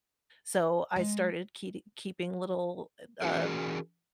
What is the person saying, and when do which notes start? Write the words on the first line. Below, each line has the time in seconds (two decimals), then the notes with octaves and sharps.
so I started keeti keeping little, eh, uh,
0.96 G#3
3.22 E3 C#4 F#4 G#4 A#4